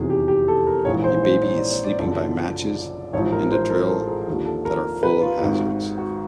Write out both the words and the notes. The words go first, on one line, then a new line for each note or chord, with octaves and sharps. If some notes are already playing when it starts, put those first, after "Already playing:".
A baby is sleeping by matches, and a drill, that are full of hazards.
Already playing: F1 E2 C3 D#3 F#3 G#4
G4
G4
A4
A#4
A#1 G#2 E3 C#5
C5
C5
C#5
D5
C#5
D5
F#1 F#2 D3 F3 D5
A1 G#2 F3 C#5
A#4
C5
A#4
A4
G#4
D#2 D3 F3
A4
A#4
B4
F4
G#1 G#2 D#3 F#4
F#4